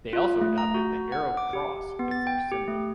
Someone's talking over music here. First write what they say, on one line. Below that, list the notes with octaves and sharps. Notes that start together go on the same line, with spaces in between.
They also adopted the Arrow Cross as their symbol.
F4
A3
A#5
F#4
F#5
D6
G4
B3
A6
G5
G4
A3